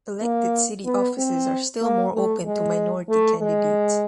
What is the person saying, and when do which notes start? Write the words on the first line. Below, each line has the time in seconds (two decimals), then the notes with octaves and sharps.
Elected city offices are still more open to minority candidates.
0.22 A#3
0.85 B3
1.18 C4
1.81 A#3
2.14 A3
2.46 G#3
3.10 A3
3.41 G#3